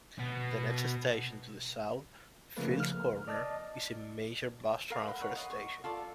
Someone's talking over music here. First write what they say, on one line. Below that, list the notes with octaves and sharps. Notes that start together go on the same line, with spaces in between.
The next station to the south, Fields Corner, is a major bus transfer station.
B2 B3
C#3 F3 A3 A#3 A#4 B4
F6
D5 D#5 A5
A#4 F5
F#5 B5
C#5 F#5
D#5
C#6
F4 A4 D5